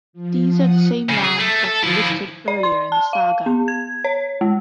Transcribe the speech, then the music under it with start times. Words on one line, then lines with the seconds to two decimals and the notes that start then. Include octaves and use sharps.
These are the same lands that were listed earlier in the saga.
0.13 F3
0.48 F3 F#5 D#6
1.09 C#3
1.23 G#4
1.38 A3
1.64 A4
1.84 F3 E4
2.48 D5
2.63 C6
2.92 A5
3.13 F5
3.46 B3
3.68 G#6
4.04 C#5
4.41 G#3